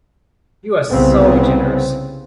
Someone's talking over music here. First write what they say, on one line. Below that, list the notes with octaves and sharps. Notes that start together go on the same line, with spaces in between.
You are so generous!
C2 C#3 B3 C4